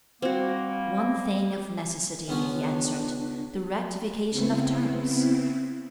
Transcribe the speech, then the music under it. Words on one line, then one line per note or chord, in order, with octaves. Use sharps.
"One thing of necessity," he answered--"the rectification of terms."
G3 A#3 C4 F#4
C#2 B3 C#4 D4
C#3 B3 C4 E4